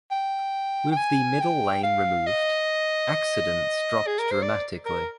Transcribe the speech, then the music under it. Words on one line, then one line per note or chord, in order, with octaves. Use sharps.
With the middle lane removed, accidents dropped dramatically.
G5
G5
G#5
G5
F5
D#5
G#4
A#4
C5
D5
A#4